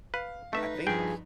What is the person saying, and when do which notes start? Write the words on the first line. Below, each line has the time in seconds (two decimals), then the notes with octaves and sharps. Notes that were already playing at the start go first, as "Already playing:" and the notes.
I think
0.14 B4 F5
0.53 A3 D#4 B4 E5
0.87 G2 F3 G#4 G5